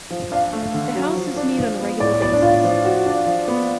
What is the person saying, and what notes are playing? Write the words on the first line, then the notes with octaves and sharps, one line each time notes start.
The houses meet on a regular basis.
F3
D4 F5
A3
D3
F#3
F3
D4
F3
B3
A2 D5
B3 D5
D4
A2 F4
F3
F#4
D4
F3
B3